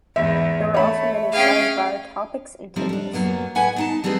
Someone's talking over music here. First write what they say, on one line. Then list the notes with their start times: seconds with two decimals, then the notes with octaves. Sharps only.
There were also many sidebar topics and tables.
0.16 E2 G#2 E5
0.74 A3 C#5 E5 B5
1.32 C#4 G#4 F5 G5
2.76 D#3 F3 G3 A3 C4 E5
2.89 G3 D4
3.13 F#2 F#3 A#3 B3
3.55 A2 G#3 A3 B4 F#5 G#5
3.76 B3 D#4 A5
4.04 F3 G3 C4 G#4 B4